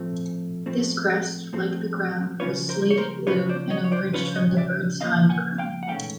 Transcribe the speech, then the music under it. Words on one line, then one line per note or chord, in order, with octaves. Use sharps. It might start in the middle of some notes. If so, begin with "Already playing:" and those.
This crest, like the crown, was slaty-blue and emerged from the bird's hindcrown.
Already playing: A2 F3 A3 C4
A2 F3 A3 C4
A2 F3 A3 C4
C#3 F3 A#3 C#4 F4 B4 C#5
A#4 C5
C#5
A#4 C5
C#3 F3 A#3 C#4 F4 B4 C#5
C5 D5
C#5 D#5
C#5
C5 D5
C#3 F3 A#3 C#4 F4 B4 C#5
C#5 D#5
D5 E5
C#3 F3 A#3 C#4 F4 D#5 F5
F#5 G#5
F5 G5
F#5
G#2 E3 A3 C#4 F5 G5